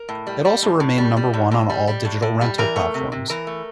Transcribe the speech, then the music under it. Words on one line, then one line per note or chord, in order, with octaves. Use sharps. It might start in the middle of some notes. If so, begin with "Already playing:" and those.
It also remained number one on all digital rental platforms.
Already playing: A#4
A2
G3
G3
A2
A2
G3
G3
A2
A2
G3
G3
A2
A2
G3
E3 A#4
A3
C3
C3
E3 A#4
A3